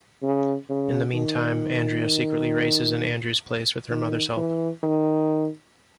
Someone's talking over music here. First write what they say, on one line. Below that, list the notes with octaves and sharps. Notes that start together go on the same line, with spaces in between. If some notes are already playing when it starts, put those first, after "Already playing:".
In the meantime, Andrea secretly races in Andrew's place with her mother's help.
C#3
C#3
D#3
D#3
E3
D#3